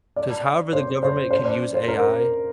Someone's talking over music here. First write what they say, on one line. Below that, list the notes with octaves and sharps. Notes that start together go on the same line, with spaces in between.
'Cause however the government can use AI,
D5
C5
C5
C5
D5
C5
A#4